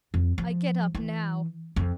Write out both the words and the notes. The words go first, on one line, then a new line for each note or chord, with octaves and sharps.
I get up now!
F2
F3
E3
F2